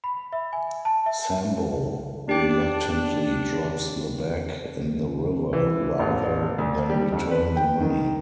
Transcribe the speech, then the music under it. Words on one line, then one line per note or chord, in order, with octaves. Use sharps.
Sambo reluctantly drops the bag in the river rather than return the money.
B5
E5
G#5
A5
E5
D4 G4 G5
E3
A1
D2
G3
F2
B4
G5
D#3